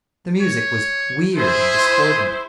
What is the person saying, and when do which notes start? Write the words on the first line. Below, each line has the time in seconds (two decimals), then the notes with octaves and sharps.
The music was weird and discordant.
0.41 C#5
1.37 E4 G#4 C5